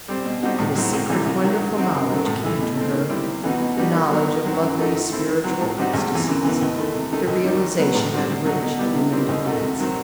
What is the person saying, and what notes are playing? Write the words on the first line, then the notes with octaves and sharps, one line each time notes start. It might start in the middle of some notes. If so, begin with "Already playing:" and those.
And a secret, wonderful knowledge came to her--the knowledge of lovely spiritual ecstasies, the realization of rich human delights.
G3 C4
B2
G3 C4 D#4 F#4
A2
F#3 C4 E4
C2
C3 E3 G3
C2
C3 D#3 F#3
G2
F#3 C4 D#4 F#4
F#2
D#3 F#3 A3
A2
E3 A3 E4
B2
A3 C4
D#3
G3 C4 E4
C3
E3 B3 D#4 F#4
B2
G3 D#4 F#4
D#3
F#3 B3
G2
F#3 C4
F#2
D#3 A3 D#4 F#4
D#3
A3 C4 E4
D#3
F#3 C4
A2
G3 C4 D#4 F#4
E2
C3 E3
F#2
E3 B3 E4
D#2
D#3 A3
C3
D#3 A3 D#4
D#2
D#3 G3 D#4
D#3
F#3 B3
A2
G3 C4 F#4
C3
F#3 A3 D#4 F#4
B2
G3 B3 E4
C3
D#3 G3 C4 E4
D#2
D#3 A3 D#4 F#4
C3
D#3 F#3 C4